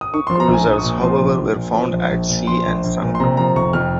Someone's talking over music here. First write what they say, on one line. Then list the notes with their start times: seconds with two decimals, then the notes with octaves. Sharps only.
Two cruisers, however, were found at sea and sunk.
0.01 D#6
0.14 C#6
0.27 F3 C6
0.40 A#5
0.48 A#1
0.54 G#5
0.65 A#1
0.73 D#6
0.78 C#6
0.83 A#2
1.02 F3 C6
1.21 A#1
1.39 A#1
1.56 A#2
1.75 F3
1.92 A#1
2.11 A#1
2.29 A#2
2.47 F3 C6
2.66 A#1
2.83 A#1
3.02 A#2
3.15 C6
3.20 C3 A#5
3.37 F3 A#5
3.55 F1 C#6
3.73 F2 F6